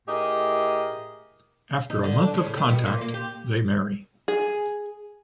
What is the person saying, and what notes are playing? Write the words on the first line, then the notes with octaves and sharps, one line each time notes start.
After a month of contact, they marry.
A2 G4 G#4 A#4 D#5
D#4
D3
D4
C#3
A2
D#3
B2
A#2
A#3
G4
G#4